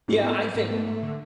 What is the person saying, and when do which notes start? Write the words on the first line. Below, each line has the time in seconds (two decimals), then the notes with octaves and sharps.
Yeah, I think
0.08 G#2
0.24 B3
0.39 B3
0.55 G#2
0.71 A3
0.87 A3
1.03 D3